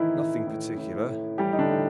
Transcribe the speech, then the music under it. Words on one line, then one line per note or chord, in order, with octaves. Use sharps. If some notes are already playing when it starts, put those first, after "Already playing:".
"Nothing particular."
Already playing: A2 D#3 E3 D#4 E4
A2
A2
A2
A2
E3 G3 G4
D#4
D3 D4
A2